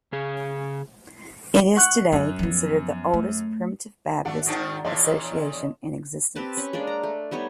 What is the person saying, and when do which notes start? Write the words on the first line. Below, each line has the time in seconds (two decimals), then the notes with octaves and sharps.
It is today considered the oldest Primitive Baptist association in existence.
0.13 C#3 G#4
1.76 F#5 C#6 F#6
2.12 F#2 C#4
2.39 F3 B3
3.14 A3
4.25 G#1 A3 D4 F#5
4.46 G#2 D#3 D4
4.85 E2 A#2 D4 C#5 D#5 C6
6.35 C4 G4 B4 A5
6.57 C#4 B5 C#6
6.73 G#3 A#3 D4 D5
6.87 A#5
7.03 A3
7.31 G3 B3 D#4 C#5